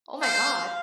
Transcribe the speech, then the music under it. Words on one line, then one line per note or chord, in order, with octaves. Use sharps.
Oh, my god.
C5 F5